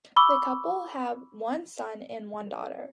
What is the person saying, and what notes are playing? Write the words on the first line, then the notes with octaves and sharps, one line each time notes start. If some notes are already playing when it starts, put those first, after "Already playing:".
The couple have one son and one daughter.
B5 C#6 D6 E6 G7